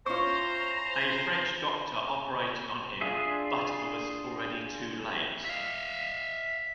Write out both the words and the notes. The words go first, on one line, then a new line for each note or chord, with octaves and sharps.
A French doctor operated on him, but it was already too late.
C#4 E4 F4 C5 A#5 C#6
D4 F4 G#4 E5
E5 F5